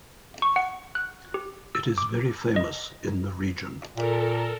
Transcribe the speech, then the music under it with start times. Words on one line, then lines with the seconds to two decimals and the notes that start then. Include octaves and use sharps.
It is very famous in the region.
0.42 C#6
0.56 F#5
0.95 F#6
1.34 G4
1.75 E6
1.98 D6
2.56 D#5
3.97 A#2 A4 A#4